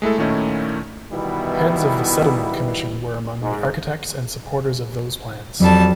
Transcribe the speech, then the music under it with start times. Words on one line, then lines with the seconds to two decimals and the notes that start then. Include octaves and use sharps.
Heads of the Settlement Commission were among the architects and supporters of those plans.
0.02 G#3 A3 E4 A4
0.18 A#2 D#3 A3 C#4 D#4 E4
1.11 B2 D#3 E3 G3 B3 E4
3.41 G#2
5.60 F2 F#3 G3 A5